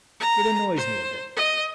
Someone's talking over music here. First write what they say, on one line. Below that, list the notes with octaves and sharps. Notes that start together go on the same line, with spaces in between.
It annoys me a bit.
A#5
C5
D#5